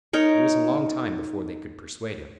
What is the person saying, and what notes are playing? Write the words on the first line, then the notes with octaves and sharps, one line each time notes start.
It was a long time before they could persuade him.
D#4 A#4 C#5